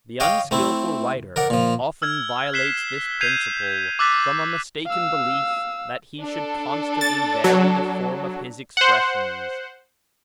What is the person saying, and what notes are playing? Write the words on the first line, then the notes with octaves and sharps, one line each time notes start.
The unskillful writer often violates this principle, from a mistaken belief that he should constantly vary the form of his expressions.
C#5 D#5 F5 G5 D6
A3 C4 E4
A#4 D5 F#5
A#2 F3
E6 F6 G#6
F#6 B6 C7 E7 G7
G6 G#6 C7 D#7 F7
D6 E6 F#6 A6 B6
F5 E6
D4 A4
A6
F#3
C5 F#5